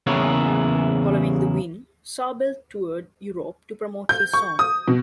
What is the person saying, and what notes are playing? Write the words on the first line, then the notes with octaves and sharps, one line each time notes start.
Following the win, Sarbel toured Europe to promote his song.
E2 C#3 A#3 E4 C#5
G6
C#6
D#6
B2